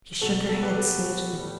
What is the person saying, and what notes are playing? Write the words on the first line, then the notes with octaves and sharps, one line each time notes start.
She shook her head sagely.
B2 F#3 F#4 A4
F#4 A4
G4 B4
F#4 A4
A2 G3